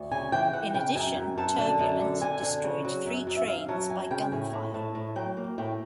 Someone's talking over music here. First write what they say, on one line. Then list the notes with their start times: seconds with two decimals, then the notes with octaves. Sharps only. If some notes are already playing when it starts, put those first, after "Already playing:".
In addition "Turbulent" destroyed three trains by gun fire.
Already playing: D2
0.11 C#3 G#5
0.32 E3 G5
0.53 E3 F#5
0.74 C#3 G5
0.95 F#2 G#5
1.16 F#2
1.38 F#2 A5
1.59 D3 A5
1.79 F#2
2.00 D3
2.22 D3 G#5
2.43 D3
2.64 C#3
2.85 F#3
3.06 F#2
3.27 F#2
3.36 E5
3.47 F#2 F5
3.68 F#3 A5
3.90 F#2 G#5
4.11 C#3 G5
4.32 A2 G#5
4.53 A2
4.74 A2 A5
4.95 A2
5.16 F#3 G5
5.37 A#3
5.58 A2 G5